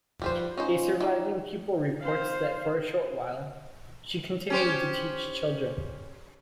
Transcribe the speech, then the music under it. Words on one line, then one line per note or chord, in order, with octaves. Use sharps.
A surviving pupil reports that for a short while, she continued to teach children.
F3 G3 B4 C5
C#4 D#4 F4 C5
D#3 E3
C5 F5
C#4 G4 C5